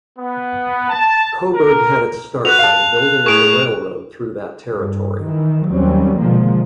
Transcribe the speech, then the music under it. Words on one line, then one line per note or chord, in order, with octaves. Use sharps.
Coburg had its start by the building of the railroad through that territory.
B3
A5
A#4
F#4 B4 F#6 F7
F5 A5
A2 G#4 C#6 D7 F7
G2
D#3 E3
D#2 F#3 G3 C4 C#4
B2 D3 D#3 F3 G#3 A#3